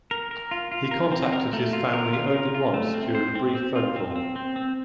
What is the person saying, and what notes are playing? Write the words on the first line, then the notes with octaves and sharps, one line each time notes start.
He contacted his family only once during a brief phone call.
A#4
A#4
F4
F4
A#4
C4
A#4
A3
F4
A#4
F4
A#4
F4
A3
C4
C5
C4
C4
F4
C4
C4
C4
C4